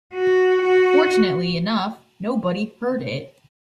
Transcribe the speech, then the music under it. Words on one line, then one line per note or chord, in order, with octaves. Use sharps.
Fortunately enough, nobody heard it.
F#4
F#4